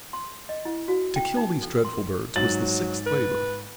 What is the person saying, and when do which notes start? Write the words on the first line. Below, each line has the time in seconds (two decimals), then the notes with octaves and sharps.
To kill these dreadful birds was the sixth labor.
0.13 C6
0.49 D#5
0.65 E4
0.88 F#4
1.16 G5
1.37 D#4
1.63 A4
1.85 C6
2.36 G#2 F#3 A6 F#7
3.06 B4